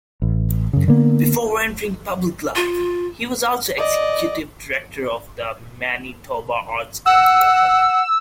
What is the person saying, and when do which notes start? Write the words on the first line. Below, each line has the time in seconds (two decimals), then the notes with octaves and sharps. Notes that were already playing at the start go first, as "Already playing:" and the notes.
Before entering public life, he was also executive director of the Manitoba Arts Council.
0.22 A1
0.73 F#2 C#3
0.88 D3 A#3 B3
2.56 F4
3.78 D5 D#5
7.06 F#5 E6